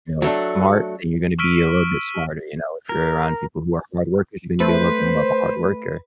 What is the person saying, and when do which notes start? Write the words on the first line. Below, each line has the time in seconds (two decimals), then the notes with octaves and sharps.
you know, smart, then you're gonna be a little bit smarter, you know, if you're around people who are hard workers, you're gonna be a little bit more of a hard worker,
0.22 F#3 A3 D4
1.39 C#6 E6 F6 B6 D7 D#7
2.89 A#4
4.60 A3 B4 C5